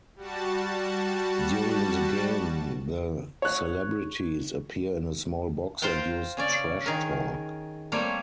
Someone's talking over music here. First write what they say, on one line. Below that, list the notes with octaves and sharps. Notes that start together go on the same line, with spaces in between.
During the game, the celebrities appear in a small box and use trash-talk.
G3 F#4 A5
C#5 F#6
F4 C5 F#5 G5 A#5
C#3 C#4 D5
D#3 G#4 A#4
G3 A3 A#3 C4 C#5